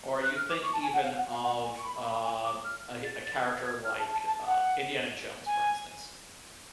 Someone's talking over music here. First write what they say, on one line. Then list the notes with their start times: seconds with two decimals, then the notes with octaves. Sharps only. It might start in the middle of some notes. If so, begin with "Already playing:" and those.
Or you think even of, uh, a he a character like, uh, Indiana Jones, for instance.
0.23 F#6
0.36 F6
0.49 D6
0.63 C#6
0.73 A5
0.83 G#5
0.93 F#5
1.03 F5
1.17 F#5
1.30 F5
1.43 F#5
1.64 G#5
1.78 C#6
1.84 B5
2.04 B5
2.24 G#5
2.44 D6
2.64 F6
3.05 A6
3.25 A6
3.45 G#6
3.66 G#6
3.85 F6
3.99 A5
4.12 A5
4.26 A5
4.46 F#5
5.46 G#5